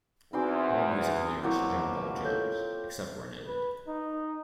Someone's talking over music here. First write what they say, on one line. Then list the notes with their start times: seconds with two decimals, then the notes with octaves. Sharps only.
All music and lyrics John Paul Jones, except where noted.
0.33 E2 C4 D#4 F#4 G#5 C6 D6
1.43 A#1 B2 F#3 A#3 E4 G4 C#6
2.24 F4 A4 C#5 G6
3.47 B4
3.88 D#4